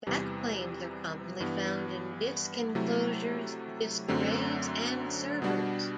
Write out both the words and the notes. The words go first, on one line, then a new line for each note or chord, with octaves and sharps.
Backplanes are commonly found in disk enclosures, disk arrays, and servers.
E2 C3 E3 G3
G2 E3 G3 B3
C3 F#3 A3 E4
F#2 D3 F#3 A3 C4
B2 G3 D4 F#4